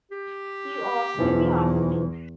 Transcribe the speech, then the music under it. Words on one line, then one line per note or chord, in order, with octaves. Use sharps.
You are still young.
G4
B1 E2 E3 F3